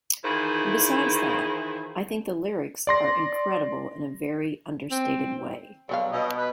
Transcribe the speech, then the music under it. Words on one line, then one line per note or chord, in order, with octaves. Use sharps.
Besides that, I think the lyrics are incredible in a very understated way.
D#3 E3 E4 F4 G#4 C5
D5 C6 A#6
C4
B2 D3 F#3 G3 F5
B2 D#5
B4